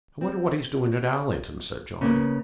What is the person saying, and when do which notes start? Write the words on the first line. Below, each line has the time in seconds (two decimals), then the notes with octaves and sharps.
"I wonder what he's doing at Allington?" said Johnny.
0.21 C4
2.01 C#3 A#3 B3